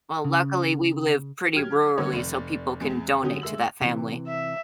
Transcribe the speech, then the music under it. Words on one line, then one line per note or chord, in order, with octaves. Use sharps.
Well, luckily we live pretty rurally, so people can donate to that family.
C#3
F#3 G4 F6 G#6
D3 F#3 G3 A#3 C#5
F1 D5
E2 G#3 C4
D3 F#3 C#4 G4 D#6
G#3 A3 E6 F#7
C3 E3
E5